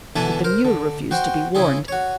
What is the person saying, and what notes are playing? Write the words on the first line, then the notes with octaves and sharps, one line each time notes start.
But the mule refused to be warned.
B2 D3 E3 D4 E5 G#5
A#4 C5
D3
F#4 C5 G5 C6
C#3 E4 G#4 C6
F#4 C#5